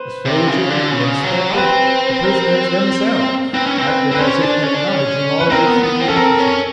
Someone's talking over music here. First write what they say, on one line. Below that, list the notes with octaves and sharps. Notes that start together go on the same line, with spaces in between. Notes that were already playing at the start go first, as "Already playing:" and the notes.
The soldiers, the inspector, the prisoners themselves, acted as if acknowledging all this to be necessary.
Already playing: B4 C5
C3
C#3
D3
C#3
F#3
C4 B4
A#4
C4 B4
C#4
C4
B4
C4
B4
C#4 C5
D4
C#4
D4
C#4
B4
C4 A#4
B3
B3
C4
C#4 A4
C4 A#4
C#4